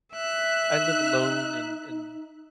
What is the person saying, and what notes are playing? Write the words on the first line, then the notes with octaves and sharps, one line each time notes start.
I live alone and and
E5 F#6
D#4